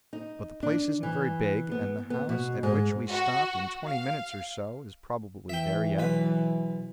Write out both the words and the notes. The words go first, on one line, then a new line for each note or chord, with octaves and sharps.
But the place isn't very big, and the house at which we stopped in twenty minutes or so is probably there yet.
D#4
D4
E3
B3
B3
B2
G#2
F#4
F5
E3 E5 G5
B1 B4